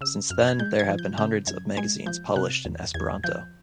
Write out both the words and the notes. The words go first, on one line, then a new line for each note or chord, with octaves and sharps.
Since then there have been hundreds of magazines published in Esperanto.
C#3 E6
F#2 F6
G#6
G#3 G6
G#6
F3
G6
C#3 G6
F#2 G#6
G#3 G#6
F3 G6
C3 F#6
E2
E2 G#6
F3 G6